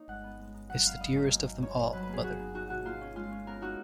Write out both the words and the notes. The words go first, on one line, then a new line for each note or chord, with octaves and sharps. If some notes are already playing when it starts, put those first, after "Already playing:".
It's the dearest of them all, Mother.
Already playing: A#3 C#4 D#4 C#5 D#5
G#3 F#5
B3
G#3
D#4
F#3 F#5
B3 F5
B3 D#5
F#2
A#3
D#4
A#3 C#5
C#4
F#3 B4
B4
A#3
G#4
B3 F#4
D#4
D#4 F#4
B2 F#4
A#3 F4
C#4
G#3 F4
C#4
B3 A#4
D#4 F#4